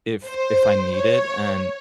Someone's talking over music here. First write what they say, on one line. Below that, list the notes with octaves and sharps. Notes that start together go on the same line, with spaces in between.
if if I need it, and
C5
C#5